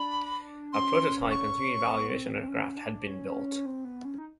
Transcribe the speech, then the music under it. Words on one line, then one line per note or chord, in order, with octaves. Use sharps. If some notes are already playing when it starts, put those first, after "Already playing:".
A prototype and three evaluation aircraft had been built.
Already playing: D4 B5
C#4 C6
C#6
C4
B3
C4
C4
C#4
D4
C#4
C4
B3
C#4
D#4